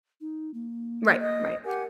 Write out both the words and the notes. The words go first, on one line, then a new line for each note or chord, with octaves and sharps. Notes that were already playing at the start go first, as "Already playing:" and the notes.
Right, right.
D#4
A#3
D#5
G4 A#4 F#5 G#5